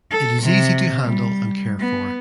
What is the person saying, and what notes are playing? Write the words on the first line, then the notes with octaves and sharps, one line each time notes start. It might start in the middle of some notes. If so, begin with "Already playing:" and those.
It is easy to handle and care for.
A4
C3
G3
B3